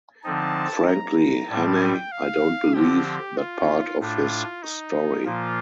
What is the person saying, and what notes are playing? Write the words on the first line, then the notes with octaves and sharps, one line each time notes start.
Frankly, Hannay, I don’t believe that part of his story.
D3 F3 C4 D#4 A5
A#5
A2 G3 C4 A5
G5
F5
D3 F3 C4 G4
F4
A2 A3 D4 F4
D#4
A#2 F3 A#3 F4